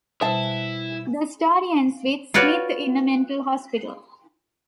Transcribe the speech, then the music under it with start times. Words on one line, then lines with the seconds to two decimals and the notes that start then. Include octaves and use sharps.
The story ends with Smith in a mental hospital.
0.21 B2 G3 E4 C5 E5 A5
2.34 F4 F#4 B4 C#5 D5